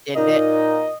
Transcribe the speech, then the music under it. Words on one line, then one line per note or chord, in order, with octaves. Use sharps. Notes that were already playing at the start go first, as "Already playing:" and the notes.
Did it?
A#2 D#4 D#5